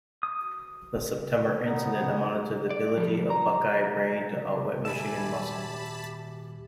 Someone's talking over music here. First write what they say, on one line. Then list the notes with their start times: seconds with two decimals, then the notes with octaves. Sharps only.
The September incident amounted to the ability of Buckeye brain to outwit Michigan muscle.
0.23 D#6
1.66 D#2 B3 D#4 F#5
2.70 D5
2.98 F3 G3
3.30 A#5
4.85 D#1 G#2 G4 E5 G#5 A5 B5